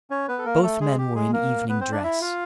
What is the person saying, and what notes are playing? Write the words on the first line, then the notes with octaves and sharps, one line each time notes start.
Both men were in evening dress.
C#4 C#5
B3 B4
A4
A#3 A#4
A3 A4
G#3 G#4
G4
G#3 G#4
A#3 A#4
B3 B4
C4 C5
D4 D5
E4 E5
F4 F5